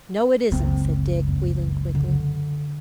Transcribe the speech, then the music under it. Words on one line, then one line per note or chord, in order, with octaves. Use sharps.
'No, it isn't,' said Dick, wheeling quickly.
F#1 C#2 C4
F2
D3